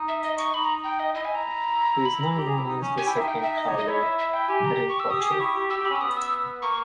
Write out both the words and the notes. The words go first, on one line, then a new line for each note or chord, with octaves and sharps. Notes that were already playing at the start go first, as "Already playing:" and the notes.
He is now known as the Second Kalu Rinpoche.
Already playing: D#4
E5
D#5
C#6
D#4 B5
A#5
G5
D#5
E4 D#5
G#5
A#5
B5
A#5
G4
G#4
E4
D#4
C#4
G4 G#5
E4 G5
D#4 E5
G5
E5
D#5
C#5
D#5
E4 C#5
E5
E5
G5
G4 G#5
A#5
C#6
E6
G4 D#6
G#4
D#6
G4
E4 C#6
G4
G4 E6
G4
B5
C#4
E6
B3 D#6
E6
A#3 C#6